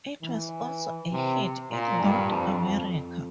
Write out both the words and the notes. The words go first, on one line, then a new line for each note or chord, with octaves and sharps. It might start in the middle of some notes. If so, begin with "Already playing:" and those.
It was also a hit in North America.
E3
C3
A#2
G2
F2
F2